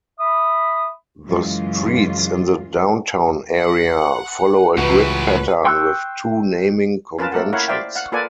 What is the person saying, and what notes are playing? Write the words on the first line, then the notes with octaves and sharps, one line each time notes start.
The streets in the downtown area follow a grid pattern with two naming conventions.
E5 B5 D#6
F#2 C#3 E3 G#3 F4
F#5
C#2 A2 E3 F#4 B4
G5 C6 C#6 E6 F#6
C#4 F4 A#4 B4 F5 A5
A3 A#3 A4 A#4 F#5
E4 A#4 C#5 F5 F#5
C5 D5 E5 F5 G5
F5 F#5
A#3 F4 A4 B4 D5 G#5